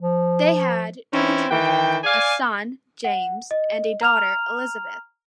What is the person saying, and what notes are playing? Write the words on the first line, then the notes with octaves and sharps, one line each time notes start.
They had two children; a son, James, and a daughter, Elizabeth.
F3
E3 C4 C#4 D#4 E4
D#3 E3 G5
D5 F5 G#5
F#5
D#5
A#5 F6 F7